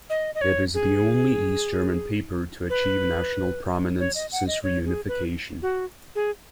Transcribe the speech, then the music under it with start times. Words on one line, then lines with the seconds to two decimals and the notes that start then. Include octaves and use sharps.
It is the only East German paper to achieve national prominence since reunification.
0.10 D#5
0.35 D#5
0.41 C#5
0.74 G#4
2.70 B4
4.00 C#5
4.15 D#5
4.32 F#5
4.47 D#5
4.64 C#5
4.86 G#4
5.08 B4
5.62 F#4
6.15 G#4